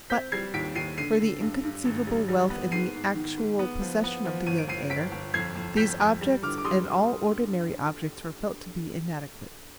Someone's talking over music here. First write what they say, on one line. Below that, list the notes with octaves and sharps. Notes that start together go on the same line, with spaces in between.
But, for the inconceivable wealth in the actual possession of the young heir, these objects and all ordinary objects were felt to be inadequate.
C4 G6 B6
G3 G#6 C7
D#2 B6 D7
D#2 C7 D#7
D3 C7 D#7
D3
G2
G2
G#1
G3
G3
B3
G#2 C7 D#7
G#2
D#3
G#2
B3
F3
B3
F3
G1 D#7
D7
G1 C7 D#7
G1 B6 D7
G1
F2 G#6 C7
F2
F2 G6 B6
F2
G3
D3 D6 F6
D6
G3 C6 D#6